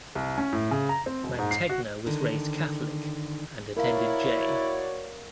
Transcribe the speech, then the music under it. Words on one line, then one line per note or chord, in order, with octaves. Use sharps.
Mantegna was raised Catholic and attended J.
C2
C#4
A2
C#3
A#5
C4
E1
G#2
C7
F#4
D3 D#3
E4 F#4 A#4 C#5 D5 F5